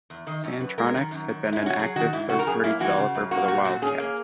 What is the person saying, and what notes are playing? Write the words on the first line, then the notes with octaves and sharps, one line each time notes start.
Santronics had been an active third-party developer for the Wildcat!
E2
D#3 D#5
F#2
F#2 B4
G#3 A#4
D#3
F#2
D#3
G#2
E4
C#4 F#4
F#3 G#4
D#3 F#4
G#2 E4
C#3 F#4
A#4
F#2 G#4
A#3 E4
E3 F#4
C#3
F#2
A#3 F#4
A#2 F#4
A#2 F#4
C#4 G#4
A#3